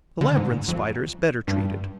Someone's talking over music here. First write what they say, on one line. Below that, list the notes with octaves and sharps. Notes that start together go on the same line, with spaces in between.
The Labyrinth Spider is better treated.
D3
G#2
F2
G2